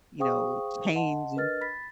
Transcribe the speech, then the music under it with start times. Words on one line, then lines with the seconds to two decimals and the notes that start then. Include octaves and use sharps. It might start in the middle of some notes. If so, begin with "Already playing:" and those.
you know, change, and
0.19 G#4 C5 F5 G5 C#6 D#6
0.95 D#5 F#5 A5 C6
1.36 D4 A#4 B4 D#5 F6 A6
1.61 B5 A6 B6